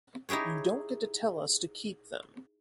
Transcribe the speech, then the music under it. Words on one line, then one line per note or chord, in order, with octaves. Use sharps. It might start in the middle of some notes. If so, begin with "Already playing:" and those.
You don’t get to tell us to keep them.
D#4 E4 G4 G#4 C#5